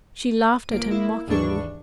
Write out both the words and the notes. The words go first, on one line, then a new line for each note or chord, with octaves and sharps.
She laughed at him mockingly.
D#7
G1 A#3 D7
A#3 E4
D#2 G#2 E3 D4 C#6